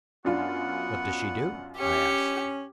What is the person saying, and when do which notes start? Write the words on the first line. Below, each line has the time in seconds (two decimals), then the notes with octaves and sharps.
"What does she do?" I asked.
0.25 F#2 B3 D4 F4 F#4 F#5
1.79 C#4 G4 C#7